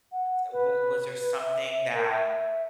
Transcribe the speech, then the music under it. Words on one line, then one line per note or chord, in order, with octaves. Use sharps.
th wa was there something that
F#5
B4
B4
E5
E5
A#4
E5